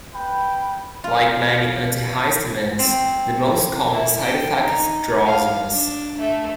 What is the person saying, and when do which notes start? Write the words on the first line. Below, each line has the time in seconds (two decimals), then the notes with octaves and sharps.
Like many antihistamines, the most common side effect is drowsiness.
0.15 B4 G5 B5
1.04 F4
2.79 C4
3.92 E4
4.21 G5
4.58 D#4
5.25 F5
5.71 D4
6.18 A3